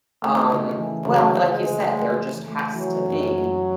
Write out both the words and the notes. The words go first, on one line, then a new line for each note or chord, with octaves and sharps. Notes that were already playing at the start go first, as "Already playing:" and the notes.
um well, like you said, there just has to be,
D#3 A3
C#3
E3
C#3 F#3
C#3
G#3
C#3
A3
E3
A3
E3 F#3
F#2
F#2